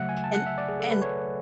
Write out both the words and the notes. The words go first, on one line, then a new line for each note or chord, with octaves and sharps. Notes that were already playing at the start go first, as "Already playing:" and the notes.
and and
Already playing: C#3 F#3 A3 E5 F#5
G#5
A5
F#5
E5
D5
G#4
A4
B4
C#5